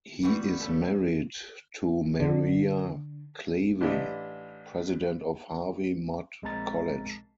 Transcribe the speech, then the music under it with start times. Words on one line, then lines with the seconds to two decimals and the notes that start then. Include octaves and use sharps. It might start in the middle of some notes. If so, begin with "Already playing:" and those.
He is married to Maria Klawe, President of Harvey Mudd College.
0.23 E3 G3 B3 F#4 B4
0.60 C#3 A3
2.20 D3
3.81 A1 E3 D4 G4 D#5 E5
6.42 A#1 G#3 C4 A5 A#5 A6